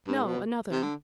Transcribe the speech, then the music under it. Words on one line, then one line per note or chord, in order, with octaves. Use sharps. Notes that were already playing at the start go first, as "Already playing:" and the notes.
"No, another."
G2
G#2
B2
C3
D3